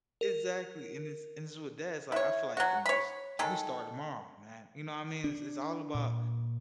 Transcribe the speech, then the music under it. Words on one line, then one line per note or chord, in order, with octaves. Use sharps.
Exactly, and this and this is what dad's like, I feel like you can just you can start tomorrow, man, you know what I mean? It's it's all about
A#4
E4 C#5
F#3 F#4
C#5 B5
D#3 G#3 A4
D4
A#2